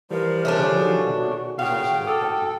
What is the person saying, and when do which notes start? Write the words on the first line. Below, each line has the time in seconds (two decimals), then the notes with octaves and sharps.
A Governing Board was also appointed.
0.11 E3 F3 G3 A#4
0.45 A3 C#4 D4
0.78 D#3 F#4 G#4
1.59 C#3 F#4 F5 G5
2.07 A4 D6 D#6 F6